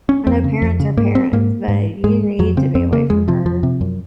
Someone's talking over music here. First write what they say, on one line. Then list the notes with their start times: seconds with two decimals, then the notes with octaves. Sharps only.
I know parents are parents, but you need to be away from her,
0.09 C#4
0.27 F2 C4
0.44 C#3
0.62 F2
0.80 C#3
0.97 G#2 A#3
1.15 C4
1.33 G#2 A#3
1.68 G#2
2.04 G#2 G#3
2.39 F2 F#3
2.57 C#3 C4
2.75 F2 C4
2.92 C#3 A#3
3.10 F2 G#3
3.28 C3 F3
3.46 F2 F3
3.63 C3
3.81 F#2